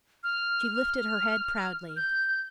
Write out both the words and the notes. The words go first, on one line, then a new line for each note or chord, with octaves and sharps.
She lifted her head proudly.
F6
F6
G6